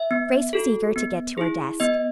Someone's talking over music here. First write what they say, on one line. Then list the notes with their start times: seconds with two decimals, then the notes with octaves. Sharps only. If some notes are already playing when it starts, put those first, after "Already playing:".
Grace was eager to get to her desk.
Already playing: E5
0.11 B3
0.53 F#4 A4
0.96 B3
1.38 E4 G#4
1.80 B3 D#5